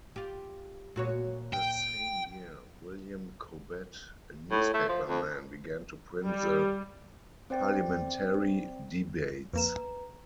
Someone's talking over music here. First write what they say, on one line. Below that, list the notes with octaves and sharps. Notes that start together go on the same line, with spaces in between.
In the same year, William Cobbett, a newspaperman, began to print the "Parliamentary Debates".
F4 G4
A#2 F#4 C#5
G5
A2
A3
F3
F2
G3
C4 C5 D5 G5 A6
F2 A#3 B4 A#5 E7